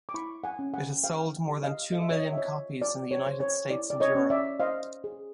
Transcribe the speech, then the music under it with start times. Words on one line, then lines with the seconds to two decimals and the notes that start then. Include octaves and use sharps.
It has sold more than two million copies in the United States and Europe.
0.09 D6
0.14 E4 B5 C#6
0.44 F#5 G#5
0.59 C#4
0.74 F#5 G#5
1.04 C5 F5 G5
1.48 G4
1.63 D#5 F5
1.92 A4 D#5
2.02 E5
2.11 C#5 D#5
2.32 E5
2.37 F4 C#5 D#5
2.82 F4 D5
3.11 C#5
3.27 C5
3.40 C#5
3.70 E4 D5
3.90 D5
4.00 C#5 D#5
4.15 C#4
4.30 D5 E5
4.60 C5 D#5 F5
5.04 G#4